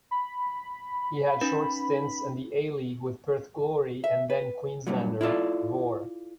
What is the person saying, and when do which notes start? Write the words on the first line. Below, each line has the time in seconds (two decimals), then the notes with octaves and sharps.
He had short stints in the A-League with Perth Glory and then-Queensland Roar.
0.11 B5
1.41 C#4 D#4 B4
4.04 E5
4.30 B4
4.87 G2 A#2 F#3
5.21 E4 F4 A4 D5